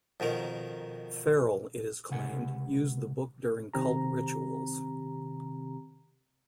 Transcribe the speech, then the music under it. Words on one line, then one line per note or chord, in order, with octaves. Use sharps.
Ferrell, it is claimed, used the book during cult rituals.
F2 B2 D#3 A#4
C#2 C3 F#5 G#5
C3 D#3 C4 G4 A#5